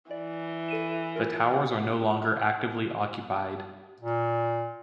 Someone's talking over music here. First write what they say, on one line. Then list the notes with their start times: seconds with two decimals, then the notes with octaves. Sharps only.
The towers are no longer actively occupied.
0.11 E3 D5
0.68 A4 D#7 E7
1.16 E4 F4 A#4
1.54 F#5
4.00 A#2